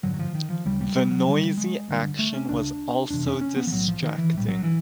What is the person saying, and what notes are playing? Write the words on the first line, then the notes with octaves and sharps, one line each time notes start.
The noisy action was also distracting.
G#1 G2 D3 F#3
F#3
F3
D#3
F3
D2 C#3 G3
G3
G3
F#3
G1 G2 D3 G3
G#3
G1 G2 D3
A3
C#4
C#2 C#3 D4
F1 E2 C3 D4
C#4
C#4
B3
F3
B1 A2 F#3
F3
D#3
E3
A#1 A2 G3
F#3
E3